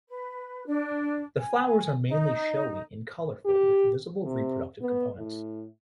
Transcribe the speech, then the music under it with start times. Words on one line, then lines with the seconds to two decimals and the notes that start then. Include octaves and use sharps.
The flowers are mainly showy and colorful with visible reproductive components.
0.09 B4
0.66 D4
1.38 G#5
2.09 D#4
3.45 G4
4.24 C3
4.82 B3
5.18 A2